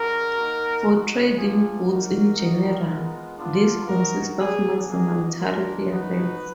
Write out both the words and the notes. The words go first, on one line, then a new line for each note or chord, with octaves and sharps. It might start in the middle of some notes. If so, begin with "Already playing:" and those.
For trade in goods in general, these consist of maximum tariff levels.
Already playing: G#3 D4 F#4 A#4
A#3 D#4 F#4
G#3 D#4 F#4
B3 D4 F4 G#4
A#3 D#4 F#4 A#4
A#3 D#4 F#4
G#3 B3 F4
B3 D4 F4
G#3 D#4 F#4 A#4
B3 D4 F#4 G#4
A#3 D#4 F#4 G#4
G#3 D4 F4 A#4
B3 D#4 F#4 B4